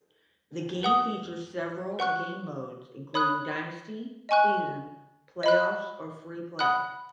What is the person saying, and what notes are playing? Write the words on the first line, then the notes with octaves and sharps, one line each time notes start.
The game features several game modes, including Dynasty, Season, Playoffs, or Free Play.
B4 F#5 D#6
B4 F#5 C#6 F#6
C#5 B5 D#6 F#6
D#5 G#5 C#6 F#6
D#5 B5 F#6
F#5 B5 D#6 F#6